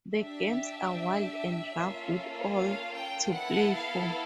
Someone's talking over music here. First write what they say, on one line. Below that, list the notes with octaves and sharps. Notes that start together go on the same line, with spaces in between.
The games are wild and rough with all to play for.
D4 G4 E5
A#3 C#4 F4 A4
F5
G5
B3 E4 A4 F#5
F5